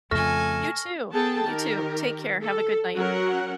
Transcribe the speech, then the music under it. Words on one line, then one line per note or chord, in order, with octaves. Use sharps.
You too, you too. Take care, have a good night.
F2 C#3 A3 A4 G#5 C#6 F6 A#6
B3 G#4 A4 G5 A5
D#3 G4 A#4
A4
F#3 C#4 F#4 A#4 F#5